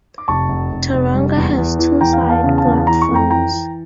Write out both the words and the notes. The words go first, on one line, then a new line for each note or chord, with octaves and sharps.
Tooronga has two side platforms.
D6
F1 A5 C#6
F1
F1
F1
G3
E2
E2
E3
E2 G5 A#5
F5
E2 G5
F5 A5
C#3
F5 A5
E2
E3 A#5
C#6
F2
G5 A#5
E3 G5 A#5
E3